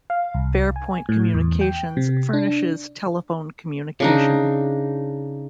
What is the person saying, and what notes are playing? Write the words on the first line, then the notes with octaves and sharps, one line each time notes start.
FairPoint Communications furnishes telephone communication.
F5
C2
G#5
A2
E2
G5
C3
D4
C#3 D4 D#4